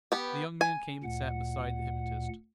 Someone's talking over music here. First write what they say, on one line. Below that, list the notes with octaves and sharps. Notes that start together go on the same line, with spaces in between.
The young man came and sat beside the hypnotist.
B3 G4
G#5
D2 A#2 F#5